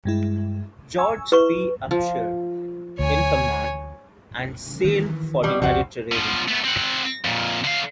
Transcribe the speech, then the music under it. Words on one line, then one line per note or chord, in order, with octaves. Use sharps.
George P. Upshur in command, and sailed for the Mediterranean.
G2 G#3 E4
G#5 C#6 E6
E4 B4 C#6
F3
D2 C#5 G#5
D#3 E3
B2 G3
C2 F2 C#3 G3 C4 F#4
B2 F3
A3 B3
C4 F#5
F2 A#2
D3 F5